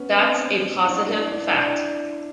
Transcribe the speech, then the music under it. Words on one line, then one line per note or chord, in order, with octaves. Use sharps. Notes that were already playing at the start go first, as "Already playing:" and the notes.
That's a positive fact.
Already playing: B3 C#4
C4 D4
D4 E4
D4 E4
D4 E4
D4 E4